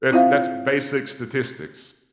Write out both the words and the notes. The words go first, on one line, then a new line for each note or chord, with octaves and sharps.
that's that's basic statistics.
C4 E4 F4 C5 E5 F5